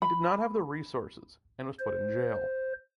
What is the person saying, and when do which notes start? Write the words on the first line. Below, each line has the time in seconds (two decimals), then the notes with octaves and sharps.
He did not have the resources and was put in jail.
0.02 B5
1.79 C5